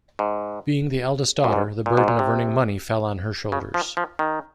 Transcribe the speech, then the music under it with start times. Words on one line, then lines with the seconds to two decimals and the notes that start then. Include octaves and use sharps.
Being the eldest daughter, the burden of earning money fell on her shoulders.
0.19 G#2
1.44 F#2
1.53 G#2
1.86 A#2
1.97 G#2
2.08 A#2
2.19 C3
3.52 C#3
3.74 F3
3.97 F3
4.19 D#3